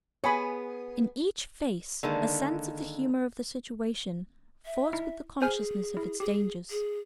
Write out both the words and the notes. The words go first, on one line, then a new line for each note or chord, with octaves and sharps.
In each face a sense of the humor of the situation fought with the consciousness of its dangers.
B3 G#4 C#5 G#5 B5
D3 D#3 G#3 A#3
E5
D#4 E4
G#4 C5 G#5 F6
E4
G4 G#4
G#4